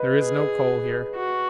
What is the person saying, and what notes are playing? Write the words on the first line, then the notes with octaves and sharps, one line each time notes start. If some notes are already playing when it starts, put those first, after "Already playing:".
There is no coal here.
Already playing: B4 D#5
G#4
F#4